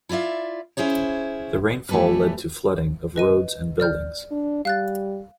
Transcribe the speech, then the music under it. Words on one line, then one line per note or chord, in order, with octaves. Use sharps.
The rainfall led to flooding of roads and buildings.
E4 F4 D5 E5 F5
C#4 E4 G#4 C5 C#5
E3 G3 A3 B3 B4
B4 D#5 D#7
D5 F6 G6
D4
G3 F5 F#6 A6